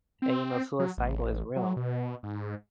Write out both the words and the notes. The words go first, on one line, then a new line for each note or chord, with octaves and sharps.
and you know suicidal is real.
C4
F#3
A1
F#3
B2
G#2